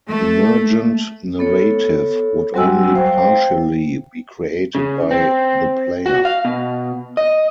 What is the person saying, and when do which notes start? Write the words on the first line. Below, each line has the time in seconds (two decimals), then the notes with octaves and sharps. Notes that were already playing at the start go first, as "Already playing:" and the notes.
Emergent narrative would only partially be created by the player.
0.10 A3
1.39 B3 A4 C#5
2.54 F#3 G3 C4 F#4 G#5 E6
2.95 C5 F5 G5
4.75 C#3
5.11 C4
6.06 F#4
6.25 F5
6.45 B2
7.17 D#5